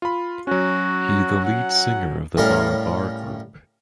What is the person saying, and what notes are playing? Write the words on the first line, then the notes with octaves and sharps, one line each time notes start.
He the lead singer of the barabar group.
F4 B5
F#3 C#4 F#4
F#5
A2 G3 C#4 A#4 F5